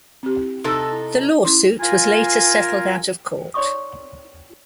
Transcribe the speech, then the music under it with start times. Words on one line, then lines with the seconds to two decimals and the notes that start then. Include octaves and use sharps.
The lawsuit was later settled out of court.
0.23 C4 G4
0.64 C3 D#4 A4
1.45 C#4 E4 C6
1.80 F4 A#4 G#5
3.54 D#4 C#5 D5 C6 C#6 D#6